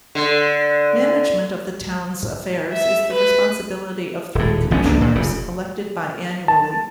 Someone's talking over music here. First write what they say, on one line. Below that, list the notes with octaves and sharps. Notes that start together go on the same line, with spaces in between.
Management of the town's affairs is the responsibility of three Commissioners, elected biannually.
D3
E5
B4
D#1 A2
G1 F3 B3 C#4
C#2 A#3 D4
A#2
F1 C#3
A5